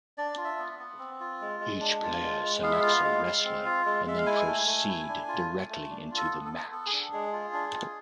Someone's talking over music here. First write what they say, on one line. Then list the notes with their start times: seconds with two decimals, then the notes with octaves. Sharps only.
Each player selects a wrestler and then proceed directly into the match.
0.18 D4 D5
0.37 F4
0.44 E5
0.59 B3
0.79 B3
0.99 C4
1.20 F4
1.41 G#3
1.60 G#3
1.80 D4
2.02 F4
2.23 G#3
2.42 G#3
2.62 B3 F5
2.72 E5
2.80 F4 F5
3.04 G#3
3.25 G#3
3.44 C4
3.66 F4
3.86 G#3
4.06 G#3 E5
4.18 F5
4.26 E4 G#5
4.47 A3
4.67 A3
4.88 E4
5.08 D4
5.28 F4
5.50 A3
5.69 A3
5.90 D4
6.11 F4
6.17 A4
6.31 B3
6.45 A4
6.52 B3
6.72 B3 A4
6.86 G#4
6.93 D4
7.12 G#3 G#4
7.33 F4
7.53 D4
7.74 F4